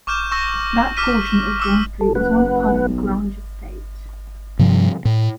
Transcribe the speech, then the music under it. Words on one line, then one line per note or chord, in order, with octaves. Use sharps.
That portion of John Street was once part of the Grange estate.
C#6 D6 F6 G6 E7
C#6 E6 A#6
D6 E6 F6 B6 D#7
D6 E6 F6
A4
F#1 B4 F#5
B1
G2 C3 F3 G3
A2